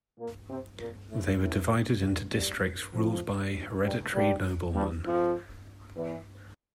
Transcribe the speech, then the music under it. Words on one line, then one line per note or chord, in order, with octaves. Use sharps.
They were divided into districts ruled by hereditary noblemen.
A#2 A#3
C3 C4
A#2 A#3
A2 A3
A2 A3
G2 G3
G2 G3
F2 F3
G2 G3
G2 G3
G2 G3
F2 F3
E2 E3